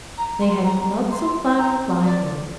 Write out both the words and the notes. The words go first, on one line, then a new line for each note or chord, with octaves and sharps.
They had lots of fun flying it.
A#5
C6
A#5
C6
A#5
D5